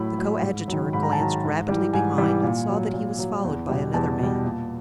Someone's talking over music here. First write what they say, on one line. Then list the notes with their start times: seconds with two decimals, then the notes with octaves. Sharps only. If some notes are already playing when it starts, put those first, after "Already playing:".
The coadjutor glanced rapidly behind and saw that he was followed by another man.
Already playing: A2 F#3 B5
0.18 F#3
0.43 G#2
0.68 D#3 F#3
0.93 G#2 B5
1.03 A#5
1.13 A5
1.18 D#3 F#3 A#5
1.44 G#2
1.69 E3 G3
1.93 G#2 G#5
2.18 E3 G3
2.43 A#2
2.69 F#3
2.94 A#2
3.19 F#3
3.44 E2
3.69 B2 G3
3.94 E2 A5
4.19 B2 G3
4.44 A#2